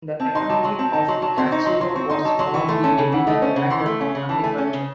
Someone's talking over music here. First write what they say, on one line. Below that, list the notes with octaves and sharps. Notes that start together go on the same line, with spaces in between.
The economy of Katsuro was formerly heavily dependent on agriculture.
C4 A5
D#4 C6
F#3 A5
F#3 C6
C4 A5
D#4 A5
F#3 C6
F#3 A5
C4 C6
D#4 C#6
F#3 C6
F#3 C6
C4 C#6
D#4 C6
F#3 A5
F#3 C6
E3 C#6
A3 C6
C#4 A5
C#3 G#5
E3 F#5
A3 D#5
C#4 C5
C#3 F#5
E3 C6
A3
C#4
C#3
E3 A5
A3 G#5
C#4 G#5
C#3